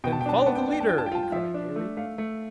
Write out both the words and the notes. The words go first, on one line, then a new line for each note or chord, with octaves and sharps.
"Then follow the leader," he cried gaily.
B2 G5
A5
G5
D4 A5
G5
B3 A5
G5
A5
D4 G5
A5
F4 G5
A5
G5
F4 A5
G5
F3 E5
D4
A3
A3 F5
A3